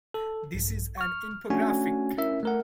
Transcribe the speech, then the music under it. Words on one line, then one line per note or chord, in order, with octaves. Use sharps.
This is an infographic.
A4
A#1 G2
C#6 F6
A3 C#4 D4 F#4 G#5
C#4 E4 A#4 E5
A3 A#4 F#5